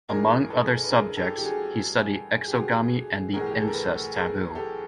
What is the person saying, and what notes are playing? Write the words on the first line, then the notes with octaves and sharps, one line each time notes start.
Among other subjects, he studied exogamy and the incest taboo.
A1 G2 D#3 G#4 A#4
A4 B4
B4
G#4 A#4
G4 A4
G4
F#4 G#4
G4
F#4 G#4
B1 A2 E3 G#4 A#4
G4
G#4
A4
A#4
A4 B4
G#4 A#4
G4 A4